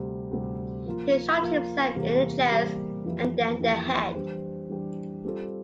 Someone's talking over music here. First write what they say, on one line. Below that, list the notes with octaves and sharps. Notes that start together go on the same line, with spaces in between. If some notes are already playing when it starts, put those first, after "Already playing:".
He shot himself in the chest and then the head.
Already playing: D2 C3 G3
D2 C3 G3
F3 A#3 F4
F3 A#3 F4
E2 C3 G3 A#3
E2 C3 G3 A#3
F2 E3 A#3 E4 G4
F2 E3 A#3 E4 G4
E3 G3 D4 G4 C5
E3 G3 D4 G4 C5
G3 C4 F4 A4